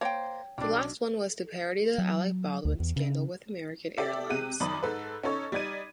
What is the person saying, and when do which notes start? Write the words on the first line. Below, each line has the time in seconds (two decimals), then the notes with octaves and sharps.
The last one was to parody the Alec Baldwin scandal with American Airlines.
0.01 A#3 C5 C#5 G5
0.58 B1 G3 D4
1.98 F#3
2.65 D2
2.80 E2
2.96 C#3
3.98 G4 A4 D5 E5
4.29 C3 G#3 G4 F#6 D#7
4.60 F#2 D#3 D5 B5 D#6
4.83 G#2 A4 B4
5.23 C#4 D#4 A4 C#5
5.52 G3 D#4 D5 G#6 D#7